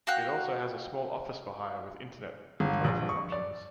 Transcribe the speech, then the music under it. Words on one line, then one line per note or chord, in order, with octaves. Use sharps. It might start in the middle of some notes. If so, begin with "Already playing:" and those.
It also has a small office for hire with Internet and telephone options.
F#4 F5 G5 F#6
G1
A#1
C#6
D5